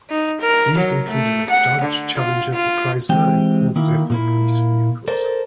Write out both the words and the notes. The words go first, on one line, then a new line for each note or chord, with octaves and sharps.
These included a Dodge Challenger for Chrysler and Ford Zephyr police vehicles.
D#4
A#4
F#3
A3
F#5
D3
F4
F4
E3 G#3 C4 G4 G5
D#3 A#3 E4
A#2 A#3 E4
A4 A#4 C5 D5